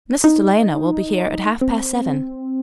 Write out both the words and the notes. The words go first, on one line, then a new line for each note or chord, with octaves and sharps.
Mrs. Delano will be here at half past seven.
D#4
C4